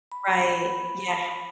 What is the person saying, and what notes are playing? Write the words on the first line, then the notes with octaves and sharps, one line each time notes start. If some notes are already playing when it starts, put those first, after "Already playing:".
Right, yeah.
B5